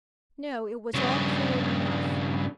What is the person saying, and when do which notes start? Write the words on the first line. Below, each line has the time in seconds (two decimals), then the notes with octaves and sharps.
No, it was all clear enough.
0.94 G2 C#3